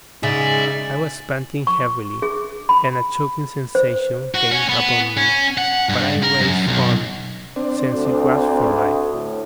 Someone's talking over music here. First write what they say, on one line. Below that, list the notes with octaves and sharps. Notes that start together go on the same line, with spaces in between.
I was panting heavily, and a choking sensation came upon me, but I raced on, since it was for life.
C#3 D#4 G#4 D5 E5
C#6
G#4
B5
C5
F#4
C#4
B3
C#4
F#5
G2
A#4
F#2
B1
C4 D4
D2
A2